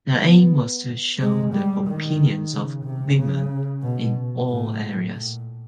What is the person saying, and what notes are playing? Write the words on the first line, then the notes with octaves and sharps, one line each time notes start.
The aim was to show the opinions of women in all areas.
B3
G#3
G3
D#3
C#3
C3
C#3
B2
A2
A#2